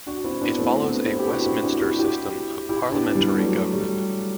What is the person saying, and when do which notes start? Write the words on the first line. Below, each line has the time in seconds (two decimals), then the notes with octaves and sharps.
It follows a Westminster system of parliamentary government.
0.06 D4 F#4
0.24 C4 E4
0.41 B3 D4
0.59 A3 C4
0.82 B3 D4
1.05 C4 E4
1.19 G4
1.29 D4 F#4
1.47 C4 E4
1.64 D4 F#4
1.81 E4 G4
1.99 E4 G4
2.69 E4 G4
2.92 B3 D4
3.15 G3 B3
3.38 F#3 A3
3.73 G3